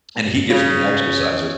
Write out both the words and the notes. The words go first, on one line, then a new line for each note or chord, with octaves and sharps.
And he gives me exercises.
C#3